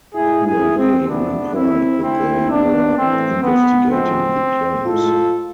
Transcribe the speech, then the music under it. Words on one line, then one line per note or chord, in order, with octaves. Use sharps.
Huawei replied that they were investigating the claims.
A2 G#3 E4 G#4
E4 G#4
C4
C3 F3 A3 B3 D4
C4 E4
D3 A3 C4 E4
B3 D4
A2 E3 A3 C4
B3
A2 F3 G#3 C4
A2 G#3 F4 A4